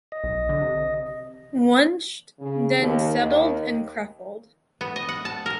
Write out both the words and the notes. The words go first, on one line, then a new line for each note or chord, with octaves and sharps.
Wunsch then settled in Krefeld.
D#5
B1
D3
C3
C#3
D#2
D#2
B3
D#5
F#5
A5
A#4